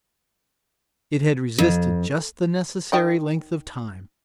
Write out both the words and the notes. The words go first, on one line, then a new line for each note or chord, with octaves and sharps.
It had resisted just the necessary length of time.
F2
D#3 D#5 G5